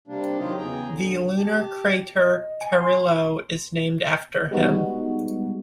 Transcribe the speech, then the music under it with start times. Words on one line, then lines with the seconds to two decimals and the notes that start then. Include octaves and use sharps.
The lunar crater Carrillo is named after him.
0.08 C3 G3 A#3 D4
0.38 D#3 F#3 D#4 F4 G4 D#5
0.58 E2 C#3 G#4 G5 A#5
0.88 D3
1.38 G4 A5
2.19 D#5
2.61 G#5
2.81 C6
4.51 G3 G#3 B3 D#4 F#4